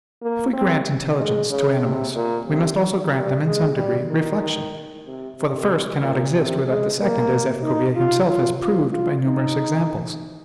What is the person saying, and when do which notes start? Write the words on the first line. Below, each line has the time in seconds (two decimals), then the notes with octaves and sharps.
If we grant intelligence to animals, we must also grant them, in some degree, reflection; for, the first cannot exist without the second, as F. Cuvier himself has proved by numerous examples.
0.22 A#3
0.53 C4
1.18 G#3
1.50 C#3
1.83 C3
2.15 A#2
2.47 C3
3.13 G3
3.44 G#3
3.76 G3
4.08 D#3
5.06 C3
5.37 C3
6.02 A#2
6.34 C3
6.67 G#3
6.99 A#3
7.63 D#4
7.96 F4
8.27 F4
8.60 F4
8.92 F4
9.25 D#4